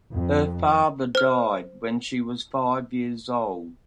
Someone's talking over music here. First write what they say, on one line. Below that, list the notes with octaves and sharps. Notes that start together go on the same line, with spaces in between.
Her father died when she was five years old.
F2
C5 F6